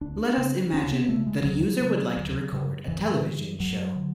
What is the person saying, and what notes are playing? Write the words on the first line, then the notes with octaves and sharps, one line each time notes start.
Let us imagine that a user would like to record a television show.
D2 D4
C#3
D2 C#4
B3
C#3 A3
G#3
E3
D2 F#3
C#3
D2
C#3
F#2 E3
D3
F#2 F#3
D3